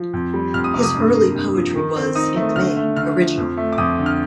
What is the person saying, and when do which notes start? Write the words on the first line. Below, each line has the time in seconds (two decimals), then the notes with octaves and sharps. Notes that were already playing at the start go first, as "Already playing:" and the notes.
His early poetry was in the main original.
Already playing: F3
0.13 F2
0.34 G3
0.54 F2 F6
0.64 D#6
0.74 C3 D6
0.84 D#6
0.95 G2
1.14 A#3
1.35 G2
1.55 F3
1.75 D#3
1.96 C4
2.15 D#4 D#6
2.36 A3
2.56 D3 F6
2.77 A3
2.96 D3 F6
3.17 F3
3.37 F2
3.57 A3
3.72 D6
3.78 F2 D#6
3.98 D3
4.06 F6